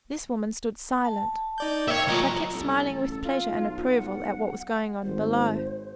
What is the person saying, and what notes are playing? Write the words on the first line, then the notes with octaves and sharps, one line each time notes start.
This woman stood silent, but kept smiling with pleasure and approval at what was going on below.
A5
D#4 D5 G6
A#3 C#5 E5 G5
F#3 A3 F4 D#5 A#5
C2 A4
A1
F4
B1
F#5
G#1 C5